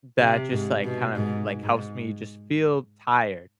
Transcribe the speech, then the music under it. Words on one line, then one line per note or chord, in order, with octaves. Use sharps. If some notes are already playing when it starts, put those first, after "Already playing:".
that just, like, kind of, like, helps me just feel tired.
C3
G#2
B2
G#2
G#2